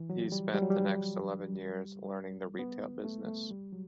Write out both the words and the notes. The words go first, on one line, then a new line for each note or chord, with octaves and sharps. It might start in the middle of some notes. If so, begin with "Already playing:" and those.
He spent the next eleven years learning the retail business.
Already playing: E3
F#3
G3
G3
F#3
G3
B3
A3
A3
G3
F#3